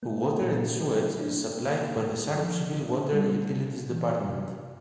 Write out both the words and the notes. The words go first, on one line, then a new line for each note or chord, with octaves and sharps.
Water and Sewage is supplied by the Sharpsville Water Utilities Department.
A#3
A#2
F#3
D4
A#3
A2
F3
D4
G3
C3
E3
C3